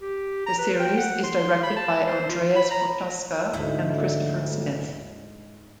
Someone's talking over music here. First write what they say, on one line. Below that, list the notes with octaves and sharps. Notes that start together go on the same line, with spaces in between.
The series is directed by Andreas Prochaska and Christopher Smith.
G4
A#5
B4
G5
F#5
C6
B5
A5
C5
F4
B5
A#5
D2 G#2 D#4 E4